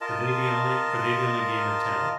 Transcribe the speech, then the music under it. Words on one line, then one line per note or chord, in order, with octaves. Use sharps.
Are they the only are they the only game in town?
F4 A#4 D#5 A5